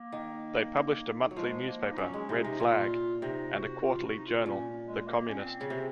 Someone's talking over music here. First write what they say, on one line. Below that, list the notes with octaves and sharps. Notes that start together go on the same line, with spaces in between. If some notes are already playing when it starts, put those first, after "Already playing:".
They published a monthly newspaper, "Red Flag", and a quarterly journal, "The Communist".
Already playing: A#3
D#3
F#3
F3 G#3
A#3
D#4
F#3 C#4
G#3
C3 D#4
F4
C3 D#4
A#2 F4
C3 D#4
F#4
F4
F#4
D#4
F4
A#2 C#4
G#3
A#3
C#4
C4
C#3
C3